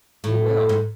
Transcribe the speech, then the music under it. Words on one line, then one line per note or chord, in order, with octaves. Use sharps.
You will.
A2
G#2